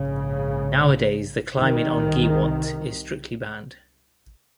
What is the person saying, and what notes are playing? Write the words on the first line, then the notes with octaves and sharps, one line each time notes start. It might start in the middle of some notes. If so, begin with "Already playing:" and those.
Nowadays the climbing on Giewont is strictly banned.
Already playing: A#1 G#2 C#3
C2 C3 D#3